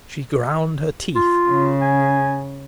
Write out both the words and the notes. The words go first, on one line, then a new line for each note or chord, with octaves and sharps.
She ground her teeth.
F4
C#3
G#5